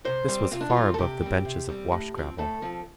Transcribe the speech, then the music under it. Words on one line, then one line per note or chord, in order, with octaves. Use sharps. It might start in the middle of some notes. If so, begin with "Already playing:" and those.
This was far above the benches of wash-gravel.
C3 C5
G3 C4
C3 F4
D4
F4
G3 C4
A4
C3 G4
G3 C4
C3
G3 C4
A2
F3 C4
A2 A4
F3 C4